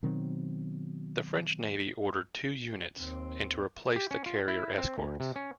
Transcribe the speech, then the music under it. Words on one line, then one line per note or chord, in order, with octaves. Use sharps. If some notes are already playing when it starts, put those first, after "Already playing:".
The French Navy ordered two units, and to replace the carrier escorts.
B2 D#3 F#3 C4
D#2 C4
G4
C#4
F4
E4
C4
D2
C3
C#4